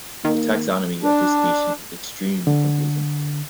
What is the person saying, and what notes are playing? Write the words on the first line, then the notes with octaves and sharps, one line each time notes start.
The taxonomy of this species is extremely confusing.
D#3 A#3
D4
D3